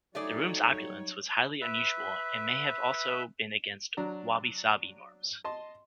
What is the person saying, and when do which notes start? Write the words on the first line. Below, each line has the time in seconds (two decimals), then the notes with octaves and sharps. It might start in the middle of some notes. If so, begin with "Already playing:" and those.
The room's opulence was highly unusual and may have also been against "wabi-sabi" norms.
0.15 F#3 G3 A3 D#4 G#4 C#5 D5
1.61 B4 E5
3.97 F#3 D4 A#5
5.44 D#5 A5 C6